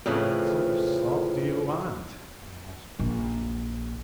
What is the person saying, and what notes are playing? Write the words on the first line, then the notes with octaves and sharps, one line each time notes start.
"What sort of salt do you want?" I asked with a jeer.
F2 A2 C#3 E3 F3
A#1